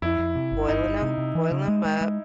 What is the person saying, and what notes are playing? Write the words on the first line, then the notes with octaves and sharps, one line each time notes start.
boiling ‘em boil ‘em up,
F2 E4
F2
C3
G1
G1 D#4
G1
C3
C3
E3
C#3
G#3
G#3
G#3